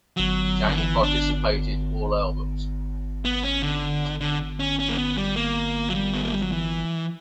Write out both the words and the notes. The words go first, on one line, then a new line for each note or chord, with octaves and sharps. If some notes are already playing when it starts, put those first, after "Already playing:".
Jang participated all albums.
F#3
D3
E3
D4
B3
C#4
D3
D3
C#4
C#4
A#3
B3
G3
A#3
F#3
G3
B3
A#3
G3
F#3
E3